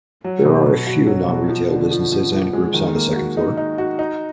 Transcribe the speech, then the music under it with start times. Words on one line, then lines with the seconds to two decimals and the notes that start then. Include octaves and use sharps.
There are a few non-retail businesses and groups on the second floor.
0.24 F#3
0.45 B2
0.66 B2
0.87 F#4
1.07 F#3
1.28 B2
1.49 F3
1.70 D3
1.91 F3
2.12 F3
2.32 F3
2.53 G#3
2.74 D#3
2.95 A#3
3.16 F#4
3.37 D#4
3.57 D#4
3.78 F#4
3.99 D#4